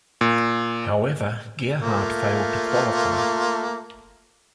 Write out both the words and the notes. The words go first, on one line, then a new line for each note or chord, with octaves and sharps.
However, Gerhart failed to qualify.
A#2
A3 A#3 F4